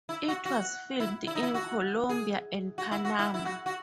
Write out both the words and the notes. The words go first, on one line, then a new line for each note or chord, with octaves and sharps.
It was filmed in Colombia and Panama.
E4
F#4
F#4
E4
E4
D#4
E4
F#4
G#4
F#4
E4
F#4
E4
E4
F#4
F#4